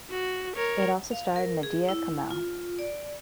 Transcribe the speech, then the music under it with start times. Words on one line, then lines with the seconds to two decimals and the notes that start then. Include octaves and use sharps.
It also starred Madiha Kamel.
0.10 F#4
0.56 A#4 C#5
1.12 F5
1.36 A#4
1.63 G#4
1.89 E4
2.31 F4
2.79 D5